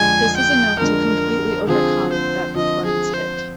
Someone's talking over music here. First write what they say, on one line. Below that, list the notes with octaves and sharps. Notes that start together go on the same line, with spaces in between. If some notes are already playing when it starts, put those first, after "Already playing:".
This is enough to completely overcome that performance hit.
Already playing: F2 D3 G#3 D4 G#5
G5
F2 D3 G#3 D4 A#4
D3 F3 C4 G#4
C5
D3 F3 C4 D#5
G#4
C5